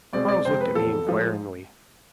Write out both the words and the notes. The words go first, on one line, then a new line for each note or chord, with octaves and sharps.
Quarles looked at me inquiringly.
C2 B2 G#3 C4 D5
D5
F2 C3 G#3 C4 C5
B4
E2 C3 F3 A4
A2 F3 G#3